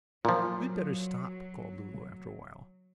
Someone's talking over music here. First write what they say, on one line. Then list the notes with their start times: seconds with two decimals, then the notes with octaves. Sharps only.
"We had better stop," called Lulu, after a while.
0.25 A#2 F3 F#3